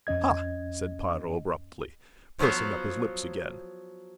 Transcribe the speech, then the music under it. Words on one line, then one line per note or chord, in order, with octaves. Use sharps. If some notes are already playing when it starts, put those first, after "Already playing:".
"Ha!" said Piero, abruptly, pursing up his lips again.
F2 C#4 D#5 G#6
F3 F#3 B3 C5 C#5